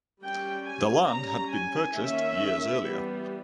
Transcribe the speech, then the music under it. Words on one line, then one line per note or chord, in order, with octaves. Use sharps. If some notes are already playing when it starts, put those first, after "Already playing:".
The land had been purchased years earlier.
G3 C#4 G5
G#5
G3 C#4 A#5
G#5
D#3 A#3 C#4 E5
E3 G3 B3